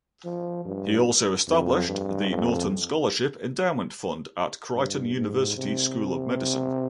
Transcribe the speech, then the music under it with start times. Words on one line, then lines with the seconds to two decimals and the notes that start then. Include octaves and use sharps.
He also established the Norton Scholarship Endowment Fund at Creighton University School of Medicine.
0.25 F3
0.65 G2
1.47 F2
1.88 G2
2.30 F2
4.75 G2
5.16 G#2
5.58 C3